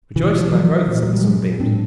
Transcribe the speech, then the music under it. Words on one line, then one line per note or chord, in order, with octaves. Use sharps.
"Rejoice in thy growth!" said the Sunbeams.
B2 D3 E3
F3
E3 F#3
A#2
F#3
G3
F#3 G#3
A2 C4 D4